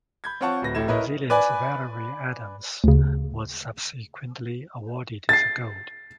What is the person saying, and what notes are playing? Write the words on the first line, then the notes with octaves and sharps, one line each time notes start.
New Zealand's Valerie Adams was subsequently awarded the gold.
B5 G6 G#6
C4 F4 C#5 F#5 A5 C#6
D1 B4 A#6
A1 A2 E4 A4 G#6 E7
E4 A#4 B4 C#5 D#5
B4 D5 G#5
D2 C#3
A6 C7